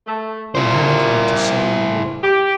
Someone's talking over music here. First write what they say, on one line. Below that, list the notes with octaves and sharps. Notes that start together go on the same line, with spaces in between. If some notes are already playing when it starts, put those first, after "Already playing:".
You have but to say the word.
A3
A#2 E4 C5
G4